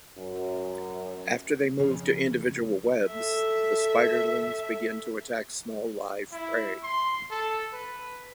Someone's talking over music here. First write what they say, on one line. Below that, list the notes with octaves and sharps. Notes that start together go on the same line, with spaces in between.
After they move to individual webs the spiderlings begin to attack small live prey.
F#2
F2 C#3
A4 E5
E4
C6
A4
B4